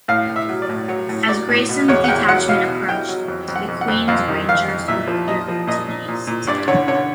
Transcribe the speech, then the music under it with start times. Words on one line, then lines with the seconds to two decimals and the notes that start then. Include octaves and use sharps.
As Grayson's detachment approached, the Queen's Rangers withdrew to the east.
0.08 A2 F5
0.29 A2
0.36 E5
0.49 F#3
0.62 D5
0.69 A2
0.88 F#3 C#5
1.09 A2
1.29 F#3 D5
1.49 A2
1.69 B2
1.88 E2 C#5
2.04 F#5
2.08 E2 G5
2.28 F#3 F#5
2.48 B2 F5
2.68 B2
2.89 B2 G5
3.09 F#3
3.28 F2
3.48 F2
3.56 F#5
3.68 F2
3.81 F#5
3.88 F2
4.08 F2 F5
4.28 D#3
4.49 F2 F5
4.68 F2
4.88 A#2 E5
5.08 F3
5.28 A#2 D#5
5.48 F3
5.67 A#2 D#5
5.88 A#2
6.08 A#2
6.27 A#2
6.47 G2 D5
6.68 D3 C#5
6.88 D3 C#5